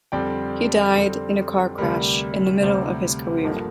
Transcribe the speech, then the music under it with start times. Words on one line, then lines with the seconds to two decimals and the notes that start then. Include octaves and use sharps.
He died in a car crash in the middle of his career.
0.12 F2 D3 G3 C4 D5 G5
0.95 F2 D3 G3 C4
1.78 D2 C3 G3 A#4
2.62 D2 C3 G3 C5
3.38 C5
3.44 G1 G2 D3 F3 A#3 A#4